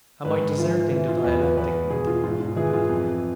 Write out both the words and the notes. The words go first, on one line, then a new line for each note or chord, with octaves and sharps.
Am I deserting the dialectic method now, Hypatia?....
G#2 B4
E3 F4
E3 E4
F4
E2 B4
B4
E2 B4
B2 G#4
F4
G#2 F4
F4
E3 G#4
F4
F2